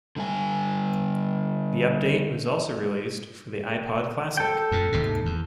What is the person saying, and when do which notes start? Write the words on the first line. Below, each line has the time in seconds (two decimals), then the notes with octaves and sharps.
The update was also released for the iPod Classic.
0.16 D3 G3 G#5
4.37 A4 G5
4.72 F#2 A#2
4.92 D#2 G#2 C3
5.25 E2